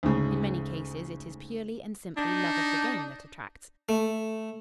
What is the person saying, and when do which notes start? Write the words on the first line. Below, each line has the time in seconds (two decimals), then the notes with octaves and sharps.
In many cases, it is purely and simply love of the game that attracts.
0.03 D2 G#2 C#3
2.17 D4 D#4
3.89 A3